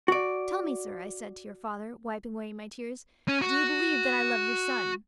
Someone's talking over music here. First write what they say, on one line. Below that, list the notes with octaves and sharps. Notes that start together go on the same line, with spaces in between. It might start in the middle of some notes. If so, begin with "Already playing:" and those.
"Tell me, sir," I said to your father, wiping away my tears, "do you believe that I love your son?"
F#4 D5
C#4
F#4